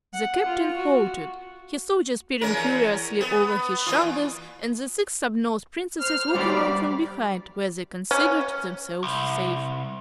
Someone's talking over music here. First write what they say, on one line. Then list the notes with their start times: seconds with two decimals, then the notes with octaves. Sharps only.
The Captain halted, his soldiers peering curiously over his shoulders and the Six Snubnosed Princesses looking on from behind, where they considered themselves safe.
0.14 F#5
0.46 F4
0.76 F#4
2.41 E2 C#4 A#4
3.21 B3
3.86 A#2 E3 F4
6.02 C5 F6
6.34 G2 F#3 G3 C5 D5 B5
8.11 C#4
9.03 C2